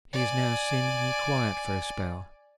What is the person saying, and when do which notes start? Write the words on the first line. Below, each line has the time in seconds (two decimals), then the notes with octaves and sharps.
He is now seemingly quiet for a spell....
0.13 D5 G#5